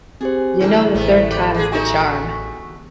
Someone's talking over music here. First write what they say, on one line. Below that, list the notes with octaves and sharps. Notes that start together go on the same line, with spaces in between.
You know the third time's the charm.
C4 G4 G#4 C5
E2 A2 D3 E4 A4
A1 C3 A3 B3
G4 B4 F#5
G#3 G4 G#4
A3 D#4 F#4 G#5 C#6